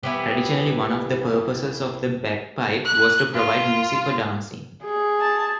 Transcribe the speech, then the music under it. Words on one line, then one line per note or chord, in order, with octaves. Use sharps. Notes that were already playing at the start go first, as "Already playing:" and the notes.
Traditionally, one of the purposes of the bagpipe was to provide music for dancing.
C2 E3 B3 G4
F#6
F4
G#4
A5